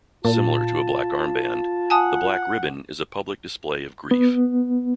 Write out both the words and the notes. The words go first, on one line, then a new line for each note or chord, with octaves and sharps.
Similar to a black armband, the black ribbon is a public display of grief.
A#2 F4 A5
F#5 G#5 A5 D#6
B3